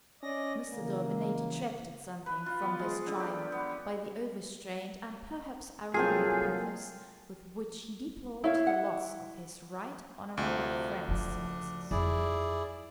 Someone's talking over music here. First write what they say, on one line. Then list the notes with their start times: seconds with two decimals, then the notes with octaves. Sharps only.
Mr. Daubeny detracted something from this triumph by the overstrained and perhaps ironic pathos with which he deplored the loss of his right honourable friend's services.
0.23 C#4 D5 D#5 A#6
0.73 C#3 E3 A#3
2.26 B4
2.46 F4
2.62 B3
2.79 G#3
3.07 D3
3.20 G4
3.52 B3
5.94 C2 F#3 A#3 F4 G#4 A4 G5
8.44 E4 C#5 F5
8.67 F#5
10.37 D2 C3 F3
11.08 C#3 F3 D4
11.91 F2 E4 G#4 D5